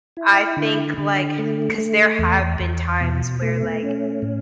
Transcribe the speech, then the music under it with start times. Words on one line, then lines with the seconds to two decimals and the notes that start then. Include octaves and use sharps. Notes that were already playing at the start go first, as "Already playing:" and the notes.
I think, like 'cause there have been times, where, like,
0.17 E4
0.57 D3
0.98 D3
1.39 A3
1.78 A3
2.19 E2
2.60 E2
3.01 B2
3.42 A3
3.82 C#4
4.22 A2